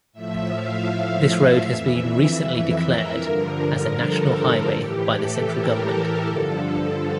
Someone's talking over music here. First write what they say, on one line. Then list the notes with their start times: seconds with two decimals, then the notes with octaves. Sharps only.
This road has been recently declared as a National Highway by the central government.
0.13 A2 F3 E5
0.51 F5
0.89 E5
1.28 E5
1.66 F2 E3
2.81 A#4
3.19 G2 D3 F3
3.96 A4
4.72 A2 E3 G4
5.10 A4
5.50 A#4
5.88 A4
6.26 G2 D3 F3